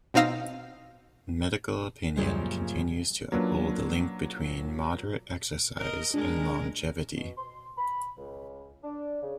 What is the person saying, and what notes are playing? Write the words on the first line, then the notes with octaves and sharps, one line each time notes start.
Medical opinion continues to uphold the link between moderate exercise and longevity.
B2 C4 D#4 F5 E6 A#6
F#2 A#2 C#3 F3 G3 G#3
F#3 A#3 C#4 D4 F4 B4
A#4 D#5
G#3 D4 A#4
B2
C6
B5
C#2
D4
C#3